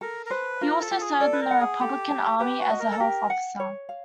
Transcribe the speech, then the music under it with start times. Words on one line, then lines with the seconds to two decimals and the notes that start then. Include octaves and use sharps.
He also served in the Republican Army as a health officer.
0.01 A4 A#4
0.26 A#4
0.30 B4 C5
0.61 F4 A#4
0.81 A4
0.91 F4
1.01 G#4
1.20 A4 D5
1.33 B4
1.41 A#4
1.51 F#5
1.60 G#4
1.80 G4 A4
2.11 A5
2.39 G4 B4
2.59 F#4
2.70 D#5
2.80 A#4
2.91 A4
3.00 G4 A#4
3.30 F#5
3.60 C#5
3.89 F5